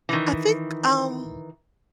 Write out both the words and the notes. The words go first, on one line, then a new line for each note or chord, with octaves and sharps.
I think um,
D#3 E3